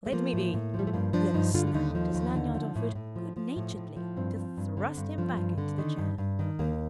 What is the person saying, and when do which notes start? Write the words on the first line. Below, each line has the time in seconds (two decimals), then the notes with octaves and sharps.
"Let me be," the other snapped as Lanyard offered good-naturedly to thrust him back into the chair.
0.06 A3
0.13 F3 A#3
0.33 A2
0.54 A2
0.74 F3
0.79 G3
0.87 A3
0.93 G2 A#3
1.13 F3 D4
1.34 G2 D#4
1.54 D3 F4
1.67 F4
1.74 D#2 D#4
1.95 F3
2.15 D#2
2.35 D3
2.55 F3
2.76 A2
2.95 A2
3.16 F3
3.36 F3
3.56 A2
3.76 A2
3.96 F3
4.16 G2 C4
4.36 F3
4.57 G2
4.77 D3
4.97 G2
5.18 F3
5.37 G2
5.58 D3
5.78 D#3
5.98 G2
6.18 G2
6.39 D#3
6.59 D#2 A#3